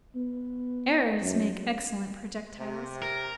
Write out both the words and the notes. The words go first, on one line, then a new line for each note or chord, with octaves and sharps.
Errors make excellent projectiles.
B3
F#2
C3
A#4